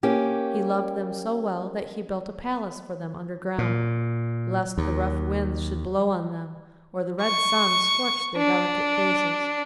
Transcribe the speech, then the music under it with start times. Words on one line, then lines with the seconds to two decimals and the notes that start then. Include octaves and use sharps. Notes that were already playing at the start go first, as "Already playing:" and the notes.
He loved them so well that he built a palace for them underground, lest the rough winds should blow on them or the red sun scorch their delicate faces.
0.03 A#3 C#4 G4
3.58 A#2
4.78 D#2
7.22 C#6
8.38 D4